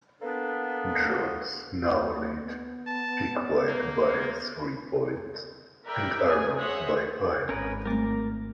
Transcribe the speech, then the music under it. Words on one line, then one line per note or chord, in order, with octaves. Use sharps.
Jones now led Piquet by three points and Arnoux by five.
A#3 B3 D4 A4 B4
B3
A5
A#3
A#4 B4 D5 E5 G5
G#4 G#5
G#4 C5 C#5 D#5 E5 F#5
G#1 C#4 A#4 B4
G3 A3 C4 A#4 D6